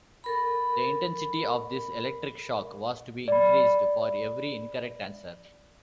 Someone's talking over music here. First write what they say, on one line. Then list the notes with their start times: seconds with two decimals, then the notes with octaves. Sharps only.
The intensity of this electric shock was to be increased for every incorrect answer.
0.24 A4 A#4 B5
3.28 D5 B5